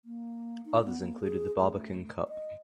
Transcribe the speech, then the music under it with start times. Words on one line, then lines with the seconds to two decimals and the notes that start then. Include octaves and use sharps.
Others included the Barbican Cup.
0.05 A#3
0.65 D#4
0.84 B3
1.01 A#3
1.20 G#4
1.61 A3
2.28 D#5